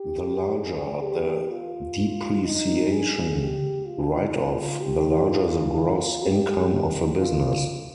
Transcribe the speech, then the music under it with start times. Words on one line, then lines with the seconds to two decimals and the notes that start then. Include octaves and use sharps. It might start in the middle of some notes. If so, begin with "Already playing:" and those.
The larger the depreciation write-off, the larger the gross income of a business.
Already playing: G4
0.56 G#4
1.03 G4
1.50 F4
2.44 D#4
2.92 G#4
3.40 G4
3.87 F4
4.81 G4
5.29 F4
6.23 G4
7.18 F4